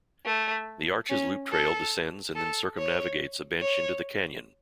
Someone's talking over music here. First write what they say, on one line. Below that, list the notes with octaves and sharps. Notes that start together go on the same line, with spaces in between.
The arches loop trail descends and then circumnavigates a bench into the canyon.
A3
C#4
A4
A4
C#5
C#5